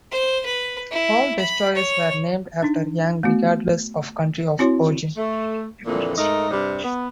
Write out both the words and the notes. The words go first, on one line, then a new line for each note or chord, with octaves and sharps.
All destroyers were named after Yang regardless of country of origin.
C5
B4
E4
B5
C#5
D4 D#4
A3 B3 F#4
C4 E4 F#4 C#5 C6
A3
F2 A#2 D3 E3
G#2 A3 A#4 D#5
G2 C3 G3
B3